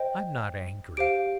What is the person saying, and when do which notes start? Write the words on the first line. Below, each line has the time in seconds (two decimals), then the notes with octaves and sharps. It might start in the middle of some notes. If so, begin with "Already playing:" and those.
I am not angry.
Already playing: C5 D#5 G5
0.97 G4 C5 F5 D7